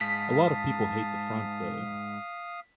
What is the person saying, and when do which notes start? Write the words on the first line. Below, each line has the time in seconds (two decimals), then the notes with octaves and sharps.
A lot of people hate the front though.
0.01 G#2 F5 A5 D#6 B6